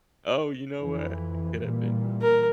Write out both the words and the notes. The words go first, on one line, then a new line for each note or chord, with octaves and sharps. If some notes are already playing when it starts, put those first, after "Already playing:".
Oh, you know what? It could have been.
F2 E3
A#2 E3 G3
A#4